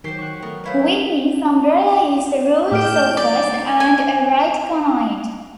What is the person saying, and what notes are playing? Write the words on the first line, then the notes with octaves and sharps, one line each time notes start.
Whitney's umbrella is a ruled surface and a right conoid.
D#3 F#3 G4 C5 G5 C7
C#6 F#6
A3 B3 A#4
A3 E4 B4 C#5 D#5 F5
A2 G5 D6 F6 G6 D7
D5
G#5